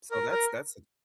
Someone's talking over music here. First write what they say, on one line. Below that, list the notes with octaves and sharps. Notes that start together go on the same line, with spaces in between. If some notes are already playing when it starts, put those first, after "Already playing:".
so that's that's
A#4
A#4